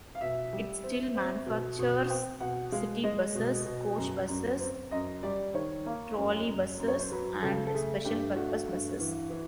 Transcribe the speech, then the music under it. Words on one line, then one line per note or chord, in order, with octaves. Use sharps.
It still manufactures city buses, coach buses, trolley buses, and special purpose buses.
F5
B2 E5
G3
C4
C4
B2
B2
C4 G5
B2 F#5
G#3 F5
G#3 D#5
B2
B2
F#2
F#2
C4
F#2 D#5
G3 D5
D#3 C#5
A#3
F#2
F#2
F#2
C#5
C5
F#3 B4
C#3 A4
A4
A3 G#4
G2 G4
A3 F#4
G2
E3
E3